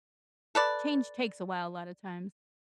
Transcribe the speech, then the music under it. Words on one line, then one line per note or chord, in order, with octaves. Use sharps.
change takes a while, a lot of times.
A4 B4 D5